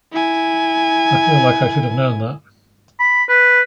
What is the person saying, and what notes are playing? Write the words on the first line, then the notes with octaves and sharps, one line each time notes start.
I feel like I should have known that.
E4 G#5
B5
B4